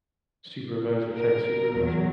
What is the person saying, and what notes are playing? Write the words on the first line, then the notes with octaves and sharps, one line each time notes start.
Supervisor tech supervisor.
A#4
E2 F#3